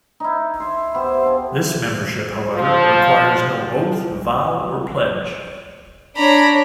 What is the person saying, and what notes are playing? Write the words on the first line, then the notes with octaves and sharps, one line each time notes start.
This membership, however, requires no oath, vow, or pledge.
D#4 E4
E5 C6
B3 E4 G4 C5
A4 F5
F3
D4 C#5 A#5 B5